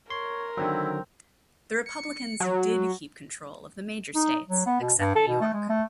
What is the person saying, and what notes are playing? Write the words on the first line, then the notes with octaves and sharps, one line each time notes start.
The Republicans did keep control of the major states except New York.
A#4 C#5 C6
D3 D#3 F#3 C4 E4
C#7
F#3
D#4
F#3
B3
B2
G2
A4
B2
A3
G#3
A3